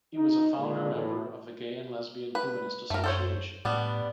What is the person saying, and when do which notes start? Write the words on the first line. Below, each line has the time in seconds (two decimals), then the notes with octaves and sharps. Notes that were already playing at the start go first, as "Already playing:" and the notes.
He was a founder member of the Gay and Lesbian Humanist Association.
0.14 D#4
0.57 A#2 D3 G#3 A#3 D4 G#4
0.92 A2 E3
2.35 B4
2.90 F#2 A3 A#4
3.04 A4 C5 C#5
3.65 A2 G3 B3 D4